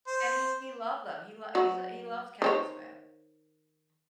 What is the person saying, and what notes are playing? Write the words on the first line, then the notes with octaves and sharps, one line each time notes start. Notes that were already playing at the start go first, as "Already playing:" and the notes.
And he love them, he lo he's a he loves Kevin Smith.
C5
F#3 F#4
D#3 C5 C#5